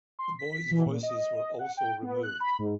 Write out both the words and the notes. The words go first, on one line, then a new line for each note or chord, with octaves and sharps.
The boys' voices were also removed.
C6
B6
E3
A#2
D#5
D#5
F#5
G5
B3
F#6
B5
G#2